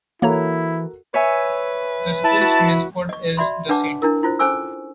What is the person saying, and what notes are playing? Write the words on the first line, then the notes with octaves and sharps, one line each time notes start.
The school's mascot is the saint.
E3 A#3 E4 F#4 A4 A#4 C#5 A#5
B4 C#5 E5 G#5
E4 A5
F#4
D#5 C#6
F#4 D5 E5 B5 C6
D4 B4 C#5 F#5 A5 D6
D4 E4 A#4
E4 F4 C5
C#4 A4 C5 G#5 C#6 E6